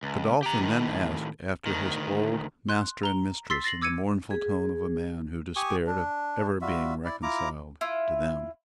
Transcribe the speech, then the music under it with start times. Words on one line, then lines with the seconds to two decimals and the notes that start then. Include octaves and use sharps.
Godolphin then asked after his old master and mistress in the mournful tone of a man who despaired of ever being reconciled to them.
0.03 C#2
0.43 G4 A#5
0.61 A2 D#3
1.66 D2 D#3
2.69 C6 F#6
3.03 A#5 G7
3.50 C6 E6 A6 B6 C7
3.64 A6 A#6 C7 F#7
3.81 D6 E6 G#6 C#7 D#7
4.31 G#4
5.56 G4 G#5 C#6 D#6
5.87 D4
6.61 G3 F4 F#4 E5
7.05 E4 D5
7.23 E4 F4 A#5 D6
7.81 E4 F4